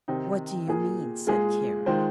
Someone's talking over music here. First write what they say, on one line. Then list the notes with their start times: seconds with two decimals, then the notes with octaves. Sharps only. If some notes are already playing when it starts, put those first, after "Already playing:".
"What do you mean?" said Carrie.
0.08 C3 D#3 C4 D#4
0.67 A#2 A#3 G#4
1.26 A#2 G#3 F4 G#4
1.86 D#3 G#3 F4 C5